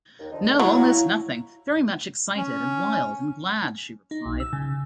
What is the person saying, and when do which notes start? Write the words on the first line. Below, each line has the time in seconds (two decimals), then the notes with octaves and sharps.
'No, almost nothing — very much excited, and wild, and glad!’ she replied.
0.19 D#2
0.32 F2 D3 D#4
0.60 F#3 E4
0.73 C#5 F5 A#5
2.36 C#4
4.11 D#4
4.25 B1
4.40 E6
4.53 C#3